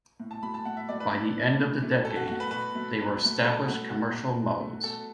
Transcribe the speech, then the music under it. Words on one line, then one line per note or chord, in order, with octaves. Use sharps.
By the end of the decade, they were established commercial modes.
A2
A5
F#3 A3 B5
A5
A2 F#5
E5
F#3 A3 D5
B4
A2
F#3 A3
A2
F#3 A3
B2 A4
F#4
F#3 A3 F#4
B4
B2 B4
F#3 A3
B2
F#3 A3
B2 A4
F#3 A3 F#4
B2 F#4
A3
B2
A3
B2 A4